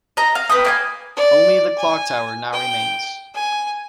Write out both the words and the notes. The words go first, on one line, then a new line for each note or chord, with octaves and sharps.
Only the clock tower now remains.
D#5 A#5
F5
B4 G5 D#6
A#3 G5 G#5
D5
G#5
G5
G#5